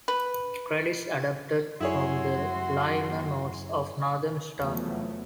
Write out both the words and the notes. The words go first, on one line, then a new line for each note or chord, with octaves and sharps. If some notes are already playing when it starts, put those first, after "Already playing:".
Credits adapted from the liner notes of "Northern Star".
B4
F#2 E4 F#4 G#4 C#5 C6
F1 E2 F3 F#3 A3 B3